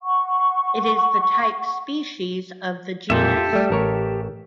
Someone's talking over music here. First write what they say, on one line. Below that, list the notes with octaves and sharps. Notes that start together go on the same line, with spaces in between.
It is the type species of the genus.
F#5 C#6
F2 A#2 F4 G4 A4 E5
F4
G3 A3
A1 A#4 C#5